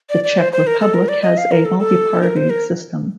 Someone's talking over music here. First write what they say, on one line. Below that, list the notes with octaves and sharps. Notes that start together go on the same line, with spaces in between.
The Czech Republic has a multi-party system.
D5
D5
C5
C5
A#4
A4
A#4
D5
D#5
F5
A#4
A4
A4
A#4
C5
A#4